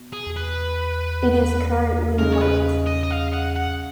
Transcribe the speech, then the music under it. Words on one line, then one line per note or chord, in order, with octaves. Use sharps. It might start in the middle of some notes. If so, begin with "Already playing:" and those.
It is currently white.
Already playing: B2
G#4
B4
C#3 G#3 D#4 A#4
C#5
B4
D#5
D#5
F5
F#5
F#5